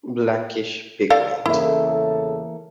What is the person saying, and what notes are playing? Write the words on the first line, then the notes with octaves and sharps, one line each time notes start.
Blackish pigment.
A4 D5 F5
E2 C#3 E3 A#3 E4 A4 E5